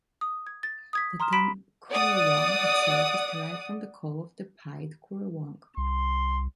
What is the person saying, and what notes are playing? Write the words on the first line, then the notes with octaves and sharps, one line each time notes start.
The term "currawong" itself is derived from the call of the pied currawong.
D#6
G#6
A6
D#6 G#6 B6
A#5 C6 D#6 F6 E7
B5 B6 D7 E7
D5 F#5 D#6
C2 C6